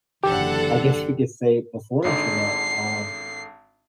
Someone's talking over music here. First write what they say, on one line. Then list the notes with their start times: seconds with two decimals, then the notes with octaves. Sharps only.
I guess you could say before internet, um,
0.24 F#1 D3 E3 G4 A4 F#5
2.04 G#1 D3 D#4 C7